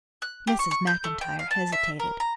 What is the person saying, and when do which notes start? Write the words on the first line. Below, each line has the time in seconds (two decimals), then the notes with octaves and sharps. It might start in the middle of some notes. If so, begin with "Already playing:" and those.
Mrs. MacIntyre hesitated.
0.22 F#6
0.47 G4
0.59 C#6
0.71 C#6
0.87 G6
1.04 A3
1.21 G5
1.39 F5
1.51 A5
1.72 E5
1.99 A#4
2.20 A#5